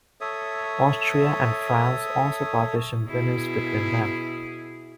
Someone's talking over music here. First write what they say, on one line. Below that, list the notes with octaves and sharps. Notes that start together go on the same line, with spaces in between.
Austria and France also partitioned Venice between them.
A4 C#5 E5 D#6
B2 E4 G#4